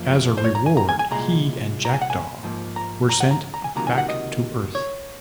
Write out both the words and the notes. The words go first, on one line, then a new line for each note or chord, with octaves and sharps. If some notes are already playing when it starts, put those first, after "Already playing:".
As a reward, he and Jackdaw were sent back to Earth.
Already playing: F#2 F3 A#3
C5
C#5
A#5
G#5
A#5
G#5
G#5
C2 A#2 G#3 A#5
A#5
G#5
F#5
G#5
G#2 F3 A#3
A#5
A#5
F#5
A#5
A#5
G#5
C#2 C3 D#3 F#3 A#3 A#5
G#5
F#5
D#5
C#5